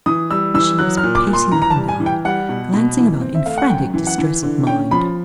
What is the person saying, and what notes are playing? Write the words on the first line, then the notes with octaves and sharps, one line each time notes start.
She was pacing up and down, glancing about in frank distress of mind.
E3 D#6
G3 E6
E3 E6
F#3 F#6
F6
A#2
D6
A#2
C6
E3 A#5
A#5
A5
G3
G#5
E3
G5
G3 F#5
B2
B2
E3
C4
E5
A3 F5
F#5
F#2 G5
E3
F#5
E3
D3
C#4 G5
F3 B5